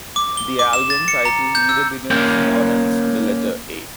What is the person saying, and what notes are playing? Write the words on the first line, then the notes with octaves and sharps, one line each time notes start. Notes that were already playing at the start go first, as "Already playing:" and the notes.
The album title neither begins nor ends with the letter 'a'.
D6
G7
D6
E7
A6
C#7
A#5
G6
E6
A#3 C#4 G5